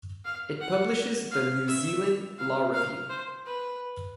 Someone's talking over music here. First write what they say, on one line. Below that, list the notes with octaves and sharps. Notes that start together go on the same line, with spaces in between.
It publishes the "New Zealand Law Review".
F5
F#5
F5
E5
F5
F5
C5
B4